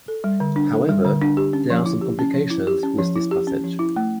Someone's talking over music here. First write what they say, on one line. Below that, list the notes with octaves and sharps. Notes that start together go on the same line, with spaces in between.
However, there are some complications with this passage.
A4
G3
D3
D4
A4
G3
D3
D4
G4
C#4
F3
E4
G4
C#4
F3
E4
G4
C#4
F3
E4
G4
C#4
F3
E4
A3